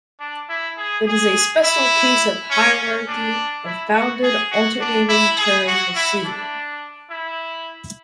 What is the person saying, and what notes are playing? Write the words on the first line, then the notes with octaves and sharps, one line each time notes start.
It is a special case of hierarchy of bounded alternating Turing machine.
D4
E4
G#4
G#4
E4
C#4
C#4
D4
E4
F#4
G#4
F#4
D4
E4
G#4
F#4
E4
D4
E4